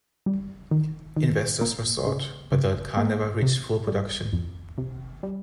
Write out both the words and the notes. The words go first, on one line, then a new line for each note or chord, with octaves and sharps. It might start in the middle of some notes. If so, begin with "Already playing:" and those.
Investors were sought but the car never reached full production.
G3
D#3
D#3
A#3
C#3
C#3
A#3
C3
G3
F2
C3
G3